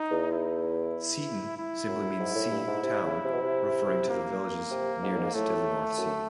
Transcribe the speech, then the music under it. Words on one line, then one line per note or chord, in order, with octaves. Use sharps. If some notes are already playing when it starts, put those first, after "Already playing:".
'Seaton' simply means 'sea town', referring to the village's nearness to the North Sea.
Already playing: D#4
E2
E4
E4
F#2
G#2
A2
G2
G#2
C3
C#3
C3
B2
C3
A#3
C3
G#2
A2
G#2
A2 A3
A2
F#2